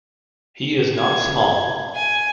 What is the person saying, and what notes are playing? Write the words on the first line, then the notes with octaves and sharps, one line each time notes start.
He is not small.
G#6
G#5